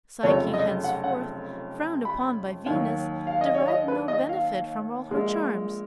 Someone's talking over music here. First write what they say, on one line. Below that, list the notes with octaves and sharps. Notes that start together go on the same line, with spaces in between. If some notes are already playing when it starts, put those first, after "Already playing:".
Psyche, henceforth frowned upon by Venus, derived no benefit from all her charms.
F1 F2 C#3 F#3 C#5
D#5
F#5
F#5
B5
D#2 D#3 F#3
F5
D#5
C#5
D#5
B4
D#5
F5
A#1 A#2 G#3